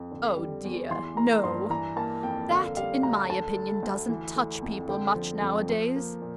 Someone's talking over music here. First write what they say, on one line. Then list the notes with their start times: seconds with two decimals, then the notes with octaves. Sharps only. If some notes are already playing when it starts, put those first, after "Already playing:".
Oh, dear, no! That, in my opinion, doesn't touch people much nowadays.
Already playing: F2
0.11 D3
0.37 G3
0.64 E2
0.90 E3 C6
1.17 A#3 A#5
1.44 G2 C6
1.70 E3 A#5
1.96 A#3 A5
2.23 F2 G5
2.50 D3 F5
2.77 G3 F5
3.03 D2 A#5
3.29 D3 A5
3.56 A3
3.83 D2
4.09 E3
4.36 A3
4.62 F2
4.89 D3 G5
5.16 F3
5.42 F2
5.69 F3
5.96 A#3
6.22 A#2